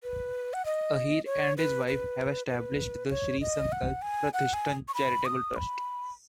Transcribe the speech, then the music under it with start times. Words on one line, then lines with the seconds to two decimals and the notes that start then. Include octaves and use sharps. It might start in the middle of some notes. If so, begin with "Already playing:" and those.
Ahir and his wife have established the Shree Sankalp Pratishthan charitable trust.
0.03 B4
0.53 F#5
0.65 D#5
1.26 C#5
1.57 B4
1.87 B4
2.49 B4
3.10 C#5
3.41 D#5
3.72 F#5
4.02 G#5
4.33 F#5
4.54 G#5
4.88 C#6
4.94 B5
5.25 D#6
5.56 B5